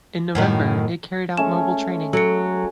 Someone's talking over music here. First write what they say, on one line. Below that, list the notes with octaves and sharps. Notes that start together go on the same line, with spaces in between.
In November it carried out mobile training.
F#2 A2 D#3
G#3 A3 C#4 E7
F#3 A4 C#7